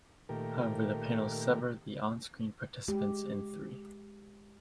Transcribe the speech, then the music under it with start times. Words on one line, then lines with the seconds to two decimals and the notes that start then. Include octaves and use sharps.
However, the panels sever the onscreen participants in three.
0.29 A#2 D#3 A3 G4 A#4
2.88 G#3 G4